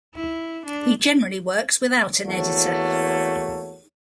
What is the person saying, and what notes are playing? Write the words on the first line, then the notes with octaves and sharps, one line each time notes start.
He generally works without an editor.
E4
D4
E2 E3 A3 A#3 F#4 C#5